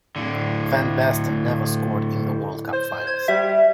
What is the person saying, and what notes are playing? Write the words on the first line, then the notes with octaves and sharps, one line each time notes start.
Van Basten never scored in the World Cup Finals.
A2 D3
C5
G#6
G3 E5